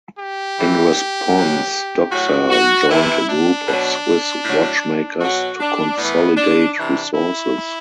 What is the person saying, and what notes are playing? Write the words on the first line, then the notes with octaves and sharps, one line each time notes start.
In response, Doxa joined a group of Swiss watchmakers to consolidate resources.
G4
A2 E3
B2 F#3
A2 F#3 F#4
F#4
C3 E3 E4
D4
B2 F#3
A2 F#3
B2 F#3 F#4
D4
A2 E3 B3
D4
C3 E3 D4
E4